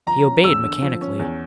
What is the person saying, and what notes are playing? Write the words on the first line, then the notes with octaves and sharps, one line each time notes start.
He obeyed mechanically.
F3 A#5
C#4
E2 E6
D3
F3
C#4
E2